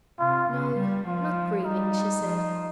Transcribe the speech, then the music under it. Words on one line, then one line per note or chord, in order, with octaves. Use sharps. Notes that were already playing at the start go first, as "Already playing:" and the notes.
"No, not grieving," she said.
C3 F4
C#3
G3
F3 F4
G3 D#4
F3